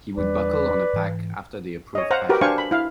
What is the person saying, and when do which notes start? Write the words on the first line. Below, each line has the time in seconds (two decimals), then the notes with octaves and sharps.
He would buckle on a pack after the approved fashion.
0.17 E2 G3 D4 B4 D5
0.93 G#2 E3
1.95 C#5 D#5
2.11 C5 F5 F#5 A#5
2.29 F#4 G4 A#4 B4
2.41 D4 C5 F5 G5 G#5 C#6
2.58 B5
2.71 E4 F5